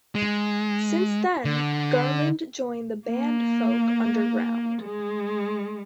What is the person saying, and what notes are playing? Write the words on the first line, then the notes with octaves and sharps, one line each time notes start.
Since then, Garland joined the band Folk UnderGround.
G#3
D3
A#3
G#3